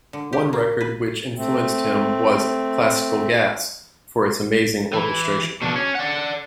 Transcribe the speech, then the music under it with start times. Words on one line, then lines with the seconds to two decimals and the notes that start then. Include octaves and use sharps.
One record which influenced him was "Classical Gas" for its amazing orchestration.
0.13 D3
0.33 G4
0.53 A#3
0.81 B4
1.38 A3 C4
4.93 E3
5.62 B2 D4
5.76 C#4
5.95 D5 F#5